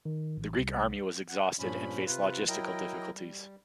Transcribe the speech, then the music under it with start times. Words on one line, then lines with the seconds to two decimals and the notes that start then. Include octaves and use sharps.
The Greek army was exhausted and faced logistical difficulties.
0.05 D#3
0.37 A1
0.59 C2
1.29 F#5
1.59 G2 A#2 F3 C#4 B5
2.05 C3 F4 B4
2.48 F#3 E4 A#4 D#5 G5
3.15 G3